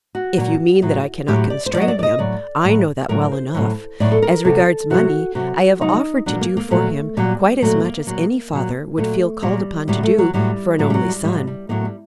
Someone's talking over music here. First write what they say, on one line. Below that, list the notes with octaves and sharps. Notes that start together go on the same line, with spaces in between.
"If you mean that I cannot constrain him, I know that well enough. As regards money, I have offered to do for him quite as much as any father would feel called upon to do for an only son."
F#4
A#2 F#3
A2 F#3
A2 F#3 G4
D5
C5
A2 D5
F#3 D#5
D5
D5
D#5
A2 F#3 D5
A2 F#3
A2 F#3 A#4
C5
A2 F#3
A2 F#3 D5
A4
A#4
C3 F#3 A4
C3 F#3 F#4
C3 F#3 F#4
C3 F#3 D#4
A#2 F#3 D4
A#3
A#3
A#2 F#3 A3
A#2 F#3 G3
A#2 F#3 A3
A#3
A#2 F#3
A#2 F#3
A#2 F#3 A3
A#2 F#3 G3
A2 F#3 G3
A3
F#3
A2 F#3 G3
A2 F#3 G3
G3
F#3
G3
A2 F#3 G3
G3
A2 F#3 A#3
G3